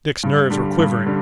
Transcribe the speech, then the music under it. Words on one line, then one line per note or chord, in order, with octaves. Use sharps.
Dick's nerves were quivering.
G2
D3 G3
G2
D3 G3